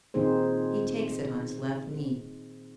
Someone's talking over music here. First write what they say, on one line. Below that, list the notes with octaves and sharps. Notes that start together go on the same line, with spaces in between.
He takes it on his left knee.
A#2 D#3 C4 D#4 G#4 C5